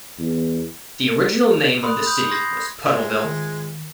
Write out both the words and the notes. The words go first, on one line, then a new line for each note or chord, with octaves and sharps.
The original name of the city was Puddleville.
E2
F7
B5 C6 D#6 F#6
B5 D#6 G6
C6 G6 G#6 A#6 C7
G#2 G#3 F4 E5
D#3